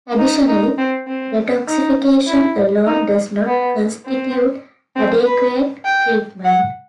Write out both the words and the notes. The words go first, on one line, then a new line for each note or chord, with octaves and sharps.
Additionally, detoxification alone does not constitute adequate treatment.
D#4
D#4
C4
C4
D#4
E4
D#4
B3
C4
C4
B4
G5
F#5